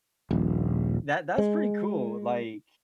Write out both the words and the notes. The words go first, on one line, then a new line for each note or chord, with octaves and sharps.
that that's pretty cool. Like,
D#1 A#1
G#3